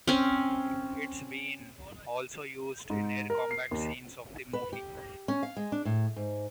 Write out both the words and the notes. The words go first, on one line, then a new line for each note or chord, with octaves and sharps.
It's been also used in Air combat scenes of the movie.
C4 C#4
G#2
A#4
C7
D#2
B4
G4
C#4
F5
G#3
D4
A2
G#2